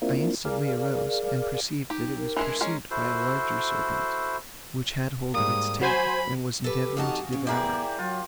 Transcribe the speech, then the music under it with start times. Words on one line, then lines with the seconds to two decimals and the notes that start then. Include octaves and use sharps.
I instantly arose, and perceived that it was pursued by a larger serpent which had hold of its tail, and was endeavouring to devour it.
0.02 A#3 C4 D4 E4 F4 A#4
0.45 G#4 A#4 D5 F5
1.90 D#4 G4
2.18 A#4
2.37 E3 G#3 D4 E4
2.61 G#3 C#4 A#4
2.90 E4 F#4 A4 C5
5.34 G#2 G3 A#3 D#6
5.81 F#3 F#4 C5 G#5 B5
6.64 G4 A4 B4
6.97 F2 D#4 F#4 G#4 F5 A5
7.32 C#3
7.47 B3 E4 G4 G#4 A#4 D5 G5
7.98 F#3 F4